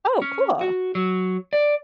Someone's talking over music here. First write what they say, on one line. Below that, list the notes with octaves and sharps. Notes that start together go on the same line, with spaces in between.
Oh, cool.
C#4
F#4
F#3
D5